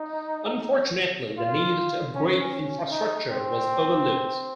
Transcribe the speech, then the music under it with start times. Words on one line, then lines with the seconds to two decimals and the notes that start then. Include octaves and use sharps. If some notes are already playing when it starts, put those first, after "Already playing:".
Unfortunately, the need to upgrade infrastructure was overlooked.
Already playing: D#4
1.38 F4
2.15 C#4
2.53 C#4
2.91 D#4
3.30 C4